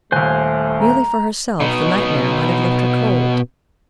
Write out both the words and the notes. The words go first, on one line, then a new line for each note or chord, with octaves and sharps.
Merely for herself, the nightmare might have left her cold.
D#1 D#2 A3 C5 G#5 F#6
A#5
B2 D#4